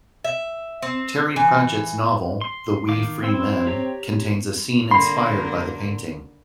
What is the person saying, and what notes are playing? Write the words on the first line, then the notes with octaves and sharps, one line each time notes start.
Terry Pratchett's novel "The Wee Free Men" contains a scene inspired by the painting.
E5
C4
E3
C6
D#3 F5 D6
C4 E4 C6 E6
G4 C#5 A#5
D3 A#3 B5 C6